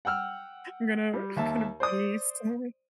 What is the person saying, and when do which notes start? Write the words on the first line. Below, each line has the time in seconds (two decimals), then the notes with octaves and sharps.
I'm gonna I'm gonna be sorry
0.05 F#5 G5 E6 F6
1.14 G3
1.36 D#2 E5 A5
1.80 C5 D5 D#6